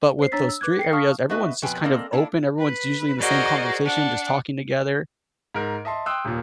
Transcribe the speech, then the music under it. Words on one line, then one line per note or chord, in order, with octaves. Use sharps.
but with those street areas, everyone's just kind of open. Everyone's usually in the same conversation, just talking talking together.
C5 C7
D4 C#5 A#5 E6 A6 B6
E6
B4 D6 F#6 G#6
G5 C7 C#7
F5 A5 C#6 D#6 F6
B3 F#4 B4 D#5 E5
F2 B2 F3 B4 G5 G#5
A#3 C4 A4 A#4 D5 D#5
A#3 D4 E4 A4
B4
F#4 G#4 A#4 C5 D5 D#5
D4 F#5
G#2 A#4
D#5 E5 A5 C6
G5 C6 D#6 E6 F#6
D#1 A#2